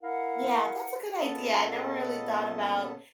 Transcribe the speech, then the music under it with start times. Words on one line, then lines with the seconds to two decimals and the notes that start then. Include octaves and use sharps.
Yeah. That's a good idea. I never really thought about
0.01 E4 A#4 F5 F#5
1.18 A#2 C#3 B3 A4 D#5 A5